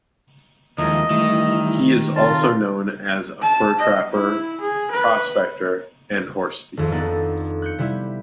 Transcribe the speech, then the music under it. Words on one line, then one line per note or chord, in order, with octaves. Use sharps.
He is also known as a fur trapper, prospector, and horse thief.
D#2 D#3 F3 G#3 A3 E4 A#4 D#5
D#3 E3 G3 A3 E4
C3 F4 A4 A#4 A5
A5
D#5
E4
G#4
B4
G#1 F2
B3 D4 D#4 A4
F#6 G6 C#7
C3 G3 E4